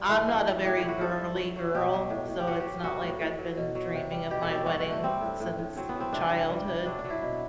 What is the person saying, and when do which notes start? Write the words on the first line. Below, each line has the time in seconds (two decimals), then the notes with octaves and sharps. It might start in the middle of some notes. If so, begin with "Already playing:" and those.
I'm not a very girly girl, so it's not like I'd been dreaming of my wedding since childhood.
Already playing: G2
0.09 E3 A3
0.29 G3
0.46 G3
0.64 A2 G4
0.77 E4
0.83 F#3
0.89 F#4
1.01 G2 A4
1.19 G2
1.37 F#3
1.56 F#3
1.75 B2 G4
1.93 F#3
2.10 A2
2.29 A2
2.40 G4
2.47 F#3 F#4
2.60 G4
2.65 F#3
2.84 G3 F#4
3.02 A2
3.20 A2
3.39 F#3
3.57 B2
3.75 F#3
3.94 C3
4.11 G3
4.30 B2 G4
4.43 A4
4.49 F#3
4.55 G4
4.66 G2 F#4
4.85 D3
4.91 A3
5.04 G3 C4
5.21 A2
5.40 A2
5.59 A2
5.76 F#3 C4
5.89 B3
5.95 F#3
6.00 C4
6.13 C3 D4
6.31 G3
6.50 G3
6.67 C3
6.86 F#3 D4
6.99 D4
7.04 F#3
7.10 E4
7.22 B2